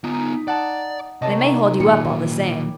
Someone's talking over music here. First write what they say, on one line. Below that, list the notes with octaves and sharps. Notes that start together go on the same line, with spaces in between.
They may hold you up all the same.
B3 D#4 F4
D5 F#5 A5
C3 D#3 C#5 D#5 A5
A#2 D#3 F#3 G3 C#7